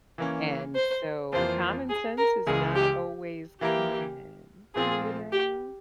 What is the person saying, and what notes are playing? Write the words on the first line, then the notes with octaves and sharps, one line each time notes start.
and, so common sense is not always common, you know.
E3 A#3 C#4
C5
F2 E3 A#3 F4 C5
G#4
A#4
C#2 C#3 E3 G#3 G#4
G4
E3 A#3 E4 G4 A#4
A#2 F3 C4 F4 G#4
G4